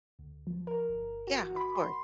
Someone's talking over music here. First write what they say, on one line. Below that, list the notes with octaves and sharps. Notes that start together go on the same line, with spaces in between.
Yeah, of course.
D2
F3
A#4
G1
F#4
B5
C6